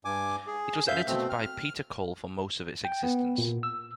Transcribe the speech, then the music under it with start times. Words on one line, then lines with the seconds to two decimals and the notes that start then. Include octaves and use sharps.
It was edited by Peter Cole for most of its existence.
0.05 G2 G#5 D6
0.47 G#4
0.88 F#2 E5 F5 G6
1.07 B2 A3 C4
1.30 F6
2.85 G5
3.03 B3
3.38 A#2
3.63 E6